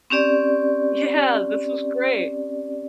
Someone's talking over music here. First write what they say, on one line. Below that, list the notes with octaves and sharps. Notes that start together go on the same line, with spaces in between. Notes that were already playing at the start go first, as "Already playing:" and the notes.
Yeah, this was great
C4 C#4 G4 D5